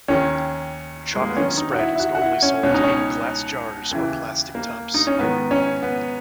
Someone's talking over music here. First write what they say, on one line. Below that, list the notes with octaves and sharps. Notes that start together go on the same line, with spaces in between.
Chocolate spread is normally sold in glass jars or plastic tubs.
D#2 D#3 C#4
G#3
A#3
B3
F#2 D#3 C#4
D#4
F#4
E4
E4
F#4
F#4
E4
C#4
C#2 B2 C#4
D#4
C#4
D#2 C#3 E3
A#3
D#4
C#4
G#2 D#3 B3
C#4
B3